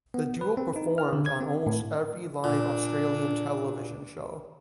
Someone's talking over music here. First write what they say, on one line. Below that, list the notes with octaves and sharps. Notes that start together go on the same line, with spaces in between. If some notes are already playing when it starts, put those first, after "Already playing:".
The duo performed on almost every live Australian television show.
B3
B4
C4
D#4
F6
D3
G#6
C4
A2
A#2 D4